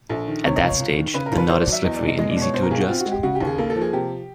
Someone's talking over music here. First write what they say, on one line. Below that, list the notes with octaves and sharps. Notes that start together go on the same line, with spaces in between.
At that stage, the knot is slippery and easy to adjust.
A#1 A4
D#3
C3 C#5
D#5
C#2
C#5
C#2
D#3
C#3 B4
A#4
D#2
B4
D#2 C5
D5
F#3
E5
E2 D#5
D5
F1
D#5
G#3 D#5
D5
B2
C#5
B2 C5
A#4
B1 G#4
F#4
C4 F4
F#4
G#3
G4
C#3 F#4
G4
D#2
G#4
A#3 A4
A4
F3
G#4
C3 G4